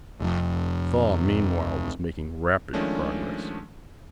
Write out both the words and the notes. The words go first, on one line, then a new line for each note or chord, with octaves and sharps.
The thaw, meanwhile, was making rapid progress.
F1 F2
D#3 F3 G#3 A3 C#4 D4